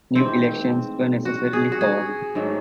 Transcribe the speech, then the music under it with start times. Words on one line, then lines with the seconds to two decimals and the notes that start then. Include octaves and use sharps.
New elections were necessarily called.
0.15 G#2 E3 A3 C4
1.25 F#4
1.53 G#4
1.72 F#4
1.81 G#4
2.35 G#2 D#3 F#3 A3